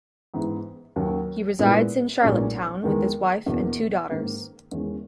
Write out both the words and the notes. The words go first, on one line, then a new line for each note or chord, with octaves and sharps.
He resides in Charlottetown with his wife and two daughters.
G#2 E3 B3 E4
D#2 D#3 F#3 C#4
A#2 G#3 B3 E4
B1 A#2 G#3 C#4
E2 D#3 G#3
E2 B2 A#3
G#2 D#3 A#3
E2 D#3 G#3 C#4